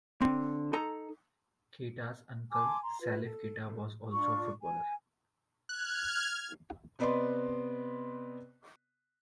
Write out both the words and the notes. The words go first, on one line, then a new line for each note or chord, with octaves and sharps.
Keita's uncle, Salif Keita, was also a footballer.
D3 C4
D#4 A4 A#5
G#5 A5 C6 D6
A#5 C6
F4 B4
A4
D4 F4 C#6
G#5
F6 F#6 G#6
C3 B3 B4 D5 D#5 C6